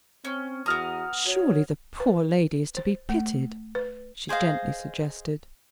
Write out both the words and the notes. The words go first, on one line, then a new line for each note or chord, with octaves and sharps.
"Surely the poor lady is to be pitied?" she gently suggested.
C4 C#4
E2 B3 F#4 A#5 D#6 F6
F#4 C#5
B4
C5
A3
B4
G#4 C5 D#5 F5